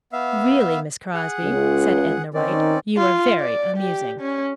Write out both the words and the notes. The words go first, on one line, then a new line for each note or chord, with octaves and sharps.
"Really, Miss Crosby," said Edna Wright, "you are very amusing."
B3 E5 F5
G#4 F#5
C#2
D#3 C4 C#4 D5
F4
D5
G4
C#4